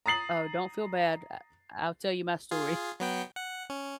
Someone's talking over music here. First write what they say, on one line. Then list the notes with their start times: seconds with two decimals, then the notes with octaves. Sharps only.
Oh, don't feel bad, I I'll tell you my story,
0.06 A#5 D#6 A6 C7 F#7
2.51 F4 G#4
3.00 F#3 B3 G5
3.36 F#5
3.70 C#4